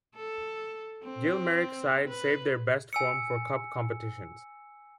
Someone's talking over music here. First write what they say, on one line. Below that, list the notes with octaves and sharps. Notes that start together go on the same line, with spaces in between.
Gil Merrick's side saved their best form for cup competitions.
A4
C4
B4
G#5 E6 C#7